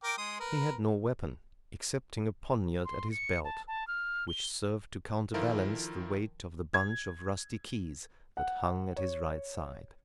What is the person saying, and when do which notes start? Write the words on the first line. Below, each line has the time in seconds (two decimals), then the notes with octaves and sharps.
He had no weapon, excepting a poniard at his belt, which served to counterbalance the weight of the bunch of rusty keys that hung at his right side.
0.04 A#4 G5 D6
0.18 G#3 C6 D#6
0.40 A#4 B4
2.85 C6
3.12 C#7
3.44 A5
3.68 A5
3.87 F6
4.28 G7
5.34 D#3 F3 E4 F4 A4 A#4
6.74 G#6
8.37 F#5
8.96 C#5